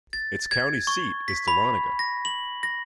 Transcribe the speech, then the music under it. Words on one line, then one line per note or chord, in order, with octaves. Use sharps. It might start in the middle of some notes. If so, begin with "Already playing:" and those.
Its county seat is Dahlonega.
A6
G#6
C#6
B6
B5
A#6
F#7
A#6